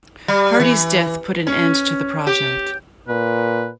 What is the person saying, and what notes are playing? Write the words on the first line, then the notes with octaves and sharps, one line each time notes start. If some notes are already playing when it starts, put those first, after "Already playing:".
Hardy's death put an end to the project.
G3
E3
C#4
G4
A#2 B4